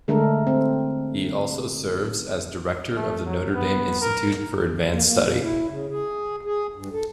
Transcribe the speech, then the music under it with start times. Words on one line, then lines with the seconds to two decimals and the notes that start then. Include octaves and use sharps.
He also serves as Director of the Notre Dame Institute for Advanced Study.
0.08 D3 G#3 A3 D4 A4 A#4
0.47 C4
2.96 A3
3.26 F#3
3.54 B3
4.01 A#4
4.91 A#3
5.05 A#3
5.23 B2
5.42 E4
5.68 C#3
5.89 G#4
6.45 G#4
6.76 G2
6.92 A4